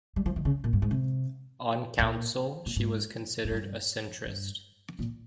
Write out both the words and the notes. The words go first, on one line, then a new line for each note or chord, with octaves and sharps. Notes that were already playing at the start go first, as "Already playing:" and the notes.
On council, she was considered a centrist.
G3
F3
D#3
C#3
A#2
G2
G#2
C3
G#2
A#2
A#2
G#2
G#2
G2
G2
A#2